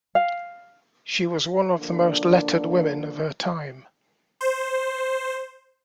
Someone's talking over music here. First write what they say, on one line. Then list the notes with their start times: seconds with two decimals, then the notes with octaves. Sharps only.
She was one of the most lettered women of her time.
0.15 F5
1.80 D3 F3 A#3 D4
4.41 C5